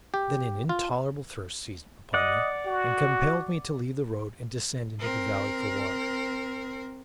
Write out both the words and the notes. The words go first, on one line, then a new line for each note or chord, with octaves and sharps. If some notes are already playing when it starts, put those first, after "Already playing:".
Then an intolerable thirst seized upon me and compelled me to leave the road and descend into the valley for water.
G4
F4
D5 D#5 F#5
F#4
C4 A#4